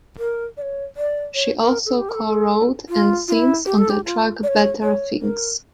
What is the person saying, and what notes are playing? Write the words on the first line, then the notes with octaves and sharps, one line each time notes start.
She also co-wrote and sings on the track "Better Things".
A#4
D5
C#5
D5
C#5
A#4
A4
G4
A#4
A4
F4
F4
E4
G4
A4
G4
F4
D5
C#5
C#5
A#4